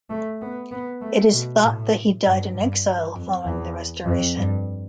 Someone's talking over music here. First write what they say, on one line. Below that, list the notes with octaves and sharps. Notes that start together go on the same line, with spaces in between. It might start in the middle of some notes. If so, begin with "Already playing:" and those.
It is thought that he died in exile following the Restoration.
A3
B3
B3
A3
B2
A2
G2
G2
F2
E2
F2
G2